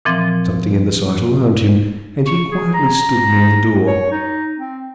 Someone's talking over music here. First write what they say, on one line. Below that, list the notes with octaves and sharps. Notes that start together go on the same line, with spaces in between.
Something in the sight alarmed him, and he quietly stood near the door.
A#2 E3 F3 C4
C#6
G#4
A#5
C#5
D#4
C4